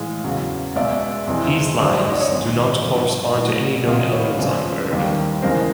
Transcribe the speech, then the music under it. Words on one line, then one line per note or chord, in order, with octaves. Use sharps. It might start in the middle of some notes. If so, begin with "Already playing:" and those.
These lines did not correspond to any known elements on Earth.
Already playing: A2 E3 G#3 F5
E2 C#3 F#3
C#2 B2 G#3 D5 E5
F2 C3 E3 G#3
D2 D3 F#3 C5 D5
D#5
D5
C#5 D#5
G#2 D#3 G#3
G2 D3 F3
A2 F#3
C#2 C3 D#3 F#3 D#5 F5
B4 C#5
D2 C#3 F3 G#3 C5 D5
D#2 D#3 G3
C#2 C#3 E3 G#3 A#4 C5